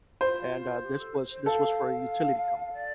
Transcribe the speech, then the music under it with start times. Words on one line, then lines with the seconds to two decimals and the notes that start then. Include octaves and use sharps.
and, uh, this was this was for a utility company,
0.21 F4 C5
0.84 G4
1.00 A4
1.15 C5
1.30 C5
1.46 A4 F5
2.73 D5